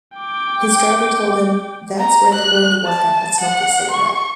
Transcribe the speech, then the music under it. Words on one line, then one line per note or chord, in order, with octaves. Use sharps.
His driver told him, That's where they're going to work on that smokeless cigarette.
G5 D6
A#5
F#6
A5
F#5
C#6